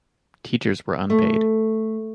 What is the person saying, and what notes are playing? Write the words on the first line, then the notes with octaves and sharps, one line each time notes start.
Teachers were unpaid.
A3